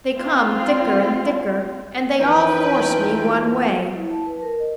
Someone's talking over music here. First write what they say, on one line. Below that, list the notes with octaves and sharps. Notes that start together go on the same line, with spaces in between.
They come thicker and thicker, and they all force me one way.
C4 F4
F2 E3 F3 D#4 A#4 B4 G5
E4
A5
B4
A#4
D#5